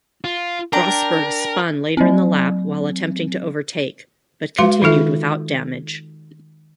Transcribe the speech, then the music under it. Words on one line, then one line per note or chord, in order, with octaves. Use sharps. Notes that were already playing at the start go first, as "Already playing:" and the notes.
Rosberg spun later in the lap while attempting to overtake, but continued without damage.
F4
D4 A#4 G5 A#5
F#3 C4
G#3 F#4 B4 F5 C6
D#3 D#4 F4 A4 E5